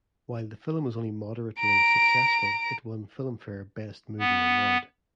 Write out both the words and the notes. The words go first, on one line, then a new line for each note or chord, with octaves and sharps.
While the film was only moderately successful, it won the Filmfare Best Movie Award.
A#5 D7
B3